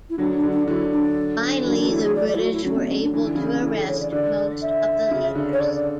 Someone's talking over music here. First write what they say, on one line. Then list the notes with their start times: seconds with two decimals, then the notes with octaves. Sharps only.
Finally the British were able to arrest most of the leaders.
0.10 E4
0.18 D3 F#3 D4
0.35 D4
0.43 D3 F#3
0.51 D4
0.67 D3 F#3 E4
0.92 D4
1.61 E3
1.66 D3 F#3 D4
1.78 D4
1.82 F#3 A3
1.91 E4
1.99 F#3 A3 G#4
2.15 D5
2.28 D5
2.35 E4
2.40 F#4
2.53 E4
2.65 D3 F#3 C#4
2.76 B3
2.89 C#4
3.02 D4
3.14 E3 D4
3.25 D3 E4
3.35 C#3 E3 C#4
3.51 C#4
3.63 E4
3.75 A4
3.88 C#5
4.00 D5
4.12 D3 D5
4.62 E5
5.11 C#3
5.35 D3
5.53 C#5
5.60 D5
5.76 D5